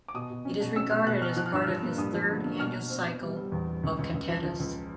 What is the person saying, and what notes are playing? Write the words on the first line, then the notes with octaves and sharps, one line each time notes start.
It is regarded as part of his third annual cycle of cantatas.
D6
B2 D#6
B2
C#4
B2
C#4 E6
B2 F6
B2 F#6
B2 F6
F3 F#6
F6
G2 E6
F3 F6
A#3
G2 D#6
F3
D3
A#3
B2 F6
B2
C4
B2
G3
G3
E2
G3
C#2
C#2
C#2
F3
F3
C#2